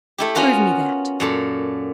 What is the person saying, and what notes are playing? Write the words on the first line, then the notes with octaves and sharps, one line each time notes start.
"Prove me that."
A3 E4 G4
B3 C#4 F4 F#4 A#4
F#2 A#2 A4